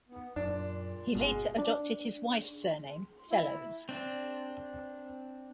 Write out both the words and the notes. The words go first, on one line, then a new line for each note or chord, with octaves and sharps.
He later adopted his wife's surname Fellowes.
B3
F#2 A#2 D4
G1 B2 G#3
D4
E4
C4 D4